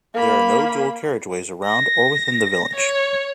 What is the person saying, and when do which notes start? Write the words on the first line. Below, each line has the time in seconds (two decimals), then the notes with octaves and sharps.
There are no dual carriageways around or within the village.
0.14 A#3 B5
1.65 A#6
2.76 C#5